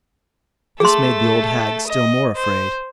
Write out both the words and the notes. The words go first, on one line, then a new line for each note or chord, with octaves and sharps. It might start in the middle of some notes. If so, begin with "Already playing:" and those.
This made the old hag still more afraid.
A3 G#4 A4 C6
D#5
C5